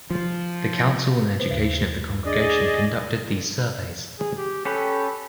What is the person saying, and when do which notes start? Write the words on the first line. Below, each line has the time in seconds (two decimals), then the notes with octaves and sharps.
The Council on Education of the Congregation conducted these surveys.
0.11 F3
1.40 C#3 B4 C5
1.51 D#2
2.25 D4 G#4 D5 D#5
4.19 G#4
4.37 G4
4.65 C#4 G4 A4 B4